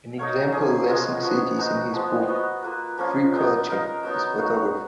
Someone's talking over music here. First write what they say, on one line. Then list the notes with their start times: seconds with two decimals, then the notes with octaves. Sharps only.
An example Lessig cites in his book, "Free Culture", is photography.
0.18 D#4 A#4 C#5 F5
0.52 F3 A#3 C#4 G#4
0.88 G#3 B3 F4 G#4
1.22 F3 B3 F#4
1.58 G#3 D#4 F#4
1.93 F3 G#3 B3
2.28 B3 F#4 B4 D#5
2.63 A#3 F4 B4
2.98 F3 A#3 C#4 F4
3.33 B3 D#4 G#4 D#5
3.68 D#4 A#4 F5
4.03 F#3 B3 D#4
4.38 D#4 F#4 C#5 F5